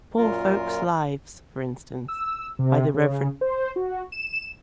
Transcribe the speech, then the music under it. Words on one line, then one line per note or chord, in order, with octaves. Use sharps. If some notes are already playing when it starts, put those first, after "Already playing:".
Poor Folks' Lives, for instance, by the Rev.
F#2 A#2 F4 A#4
E6
C3
C#3
C5
F#4
E7